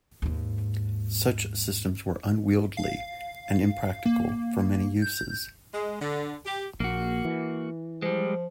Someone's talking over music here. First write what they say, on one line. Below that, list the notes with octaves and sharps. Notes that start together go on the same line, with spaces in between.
Such systems were unwieldily and impractical for many uses.
D#2 G#2
F5
A#3
G6
G#3
D3
G4
A#1 A#3 F#4
E3
F3 G3 G#3